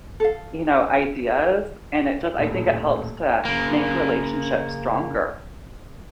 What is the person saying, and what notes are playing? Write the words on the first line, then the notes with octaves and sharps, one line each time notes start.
You know, ideas and it just I think it helps to make relationships stronger,
A4 F5
D#1 A2
C#3 A#3